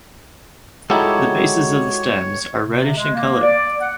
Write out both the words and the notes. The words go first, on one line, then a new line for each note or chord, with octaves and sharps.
The bases of the stems are reddish in color.
G#3 D#4 E4 F#4 G4 A4 C#5
C3
G#3
A#3
D5
F#5